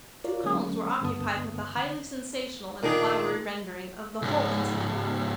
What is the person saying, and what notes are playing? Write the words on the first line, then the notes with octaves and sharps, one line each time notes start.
Two columns were occupied with a highly sensational and flowery rendering of the whole incident.
F4 A#4 C#5 D5
D3 F#3 G#3 A#3 C#4
C#2 G2 D3 B3 A5 D#6
D3
A#2 D#3 D4 G#4
C#2 G#2